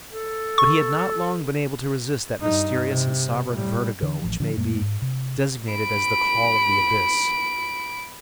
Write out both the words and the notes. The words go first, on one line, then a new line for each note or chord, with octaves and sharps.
But he had not long been able to resist that mysterious and sovereign vertigo which may be designated as the call of the abyss.
A4
C#6
G2 D#4
C3
A2 G3
D3 E3 D4
A1 F3
D3 F3 D4
F#2 A#2 G#3 A#3
G#2
C3
B5 D7